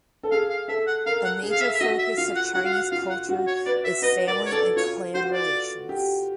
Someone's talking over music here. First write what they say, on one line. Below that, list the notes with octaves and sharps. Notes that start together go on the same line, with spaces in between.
A major focus of Chinese culture is family and clan relations.
A4
G#4 F5
F5
A4 E5
F#5
A#4 F5
F#5
G#4
F5
E5
E5
F#4 D#5
E5
F4 F5
F#5
F#4 F#5
F5
F#5
F4 F5
F#5
F#4
C#5
B4 D5
E5
B4 D#5
A#4 D5
C#5
A4 D5
F4 C#5
F#4 C5
D5
G4